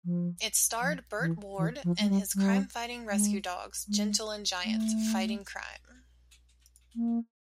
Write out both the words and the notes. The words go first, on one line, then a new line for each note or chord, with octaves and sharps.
It starred Burt Ward and his crimefighting rescue dogs Gentle and Giant fighting crime.
F3
F3
E3
E3
F3
G#3
G3
G3
G#3
G#3
A3
A#3